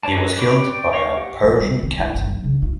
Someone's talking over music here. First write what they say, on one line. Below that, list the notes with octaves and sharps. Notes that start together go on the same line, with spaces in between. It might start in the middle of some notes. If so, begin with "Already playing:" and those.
He was killed by a Persian captive.
C#5 D5 A5
D#4 G#4 B4 C#5 D#5
G4 B4 C#5 G5 D6
D5 G5
C#5 D#5 F5 C#6
G4 F#5
F3
G3
D#3
E4
G1
F#3
C#3
F4